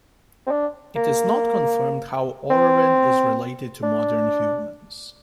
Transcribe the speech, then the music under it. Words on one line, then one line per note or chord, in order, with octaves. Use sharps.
It is not confirmed how "Orrorin" is related to modern humans.
C4
D4
A#3
C4
D4